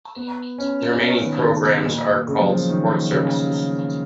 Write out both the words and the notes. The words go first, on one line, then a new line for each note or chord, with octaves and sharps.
The remaining programs are called support services.
B3
C#4
C#4
B3
D#3
D#3
C#3
B2
A#2
C#3
F#3
F3
D#3
C#3